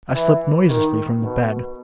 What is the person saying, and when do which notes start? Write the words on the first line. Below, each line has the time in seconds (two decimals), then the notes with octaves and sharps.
I slipped noiselessly from the bed.
0.14 E3
0.69 D#3
1.23 B2